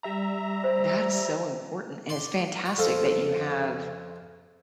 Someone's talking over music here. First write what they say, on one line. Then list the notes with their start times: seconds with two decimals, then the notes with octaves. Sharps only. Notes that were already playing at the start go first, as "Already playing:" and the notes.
that's so important, and it's fantastic that you have
0.03 G3 E5 A#5
0.64 C5
2.09 D5 C6
2.66 C#5
2.78 F2 F4 A4 C5 D#5